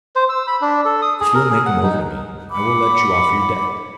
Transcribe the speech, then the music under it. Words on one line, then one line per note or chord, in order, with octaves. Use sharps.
If you will make him over to me, I will let you off your debt.'
C5
E6
B5
D4
A4
D#6
G#4
A#4
G#4
F#5
D#4
F#5 B5 D6